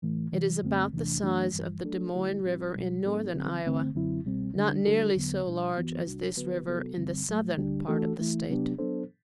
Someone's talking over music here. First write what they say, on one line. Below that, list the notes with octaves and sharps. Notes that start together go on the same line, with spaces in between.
It is about the size of the Des Moines river in northern Iowa, not nearly so large as this river in the southern part of the state.
A2 E3 A3
C3 E3 G3
F#2 D3 A3 C4
E2 C3 E3 A3 D4
F#2 E3 A3 D4 F#4
G2 E3 G3
F#3 A3 D4 A4
D3 F#3 A3 E4 G4
A2 G3 C4 F#4
C2 B2 G3
A2 F#3 B3 D4 A4
D3 F#3 C4
G2 D3 A3 C4
F#2 D3 F#3 C4 E4
C2 B2 G3 C4
D3 G3 D4
D3 G3 D4 F#4 A4
E2 D3 F#3 B3
B2 G3 D4
F#2 E3 B3 F#4
C2 C3 G3 D4 F#4
D3 F#3 B3 F#4 B4
C3 F#3 B3 F#4 A4
G2 D3 G3 C4
A2 F#3 A3
D2 D3 G3 D4 G4
E3 A3 D4 F#4 A4
E3 A3 E4
C3 F#3 B3 D4 G4
F#3 B3 D4 A4 C5